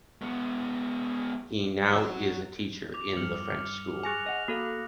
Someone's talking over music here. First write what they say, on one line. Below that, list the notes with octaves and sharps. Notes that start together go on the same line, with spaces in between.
He now is a teacher in the French School.
G#3 B3
F#3
D6 F7
C#2 G2 F6 C#7 F#7
G#4 G#5 F#6 A#6 F7
D#5 F#5 A#6 F7
A#3 F#4 A4 F5 D#6